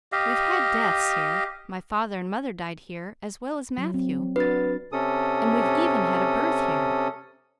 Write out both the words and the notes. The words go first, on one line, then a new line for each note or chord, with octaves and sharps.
We've had deaths here--my father and mother died here as well as Matthew; and we've even had a birth here.
G4 D#5 F5
F#3
C4
D4 F#4 B4 A6
C3 C#4 A4 D#6